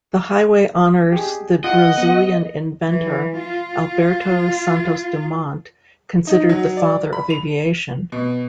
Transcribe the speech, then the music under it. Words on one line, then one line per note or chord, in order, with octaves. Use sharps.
The highway honours the Brazilian inventor Alberto Santos-Dumont, considered the "father of aviation".
G4 G#4
F4 D#5 F#5
B3
E3
F4
D#4
F#3
D5
B5
F7
B2